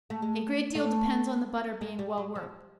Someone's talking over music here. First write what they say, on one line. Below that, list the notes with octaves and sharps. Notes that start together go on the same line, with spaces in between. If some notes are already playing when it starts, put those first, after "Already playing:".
A great deal depends on the butter being well worked.
A3
G#3
A3
G#3
G3
F#3
F3